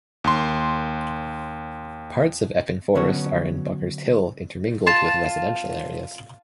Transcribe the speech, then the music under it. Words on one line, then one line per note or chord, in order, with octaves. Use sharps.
Parts of Epping Forest are in Buckhurst Hill intermingled with residential areas.
D#2 C6
D3 F#3 B3 C#4 F#4 C#5
F4 A5